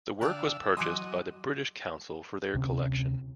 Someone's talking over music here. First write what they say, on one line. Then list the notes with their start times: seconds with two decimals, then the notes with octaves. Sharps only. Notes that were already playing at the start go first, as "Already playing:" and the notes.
The work was purchased by the British Council for their collection.
0.21 D3 D5 F5 G5 A5 E6 F#6
0.77 E3 F#3 D#5 G#5 C6 D6 D#6 F#6
2.54 D2 C3 C4 C#4